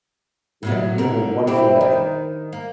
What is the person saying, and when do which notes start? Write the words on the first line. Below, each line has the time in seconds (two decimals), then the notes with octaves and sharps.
Yep, you have a wonderful day.
0.63 A2 C#3 F#3
0.98 D3 A#4
1.47 C4 E4 G4
1.81 D#3
2.53 A#3